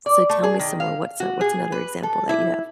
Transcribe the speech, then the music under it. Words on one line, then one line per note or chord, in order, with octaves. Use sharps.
So tell me some more. What's a what's another example that you have?
D5
A3
G#4
D#3
F5
F#4
G#4
B4
A4
E4